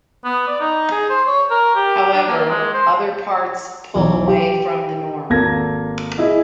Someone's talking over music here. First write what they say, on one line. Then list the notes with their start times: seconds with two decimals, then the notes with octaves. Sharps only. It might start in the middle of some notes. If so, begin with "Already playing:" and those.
However, other parts pull away from the norm.
0.24 B3
0.47 D5
0.60 D#4
0.91 G#4
1.09 C5
1.27 C#5
1.51 A#4
1.76 G4
2.13 D4
2.27 A#3
2.50 G#3
2.74 C5
3.95 B1 E3
4.28 G4
5.30 G#1 A#3 A4 G#6 A#6
6.18 E4 G#4 D#5